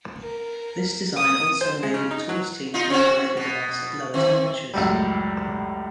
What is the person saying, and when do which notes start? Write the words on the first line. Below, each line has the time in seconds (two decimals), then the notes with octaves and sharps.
This design also enabled Tour's team to operate the device at lower temperatures.
0.23 A#4
1.16 D#6
1.61 C5
1.83 G#3
1.94 C#3
2.11 D#4
2.29 F#3
2.74 D#4 F4
2.90 C4 C#4 F#4
3.37 B2
4.14 D#3 C4
4.74 C#2 F#2 A2 G3